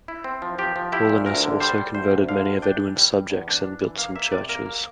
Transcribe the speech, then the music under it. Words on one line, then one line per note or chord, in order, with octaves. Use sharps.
Paulinus also converted many of Edwin's subjects and built some churches.
E4
C4
F3
F3 G4
F3
E4 G4
A#2
D2 A#4
D3
G3 C5
G3
D2 C5
D2
D3 F5
D2
D4 G5
E3
G3
G3
E2
D4
D4
E3
A#3 F5
A#3 E5
C3 D5
A#3 A#4
A#3